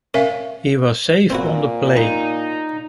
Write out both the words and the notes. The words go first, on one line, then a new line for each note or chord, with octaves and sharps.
He was safe on the play.
C#4 A#4 E5 F5
A#2 C4 E4 F#4
D#4 A#5